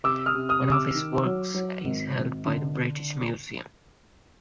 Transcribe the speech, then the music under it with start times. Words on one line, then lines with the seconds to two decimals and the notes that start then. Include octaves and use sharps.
One of his works is held by the British Museum.
0.04 C3 D6 E6
0.26 D#6 F6
0.35 C3
0.49 D#6 F6
0.65 C3
0.72 D6 E6
0.95 D#3
1.25 F#3
1.54 F#3
1.85 G#1
2.15 G#1
2.46 D3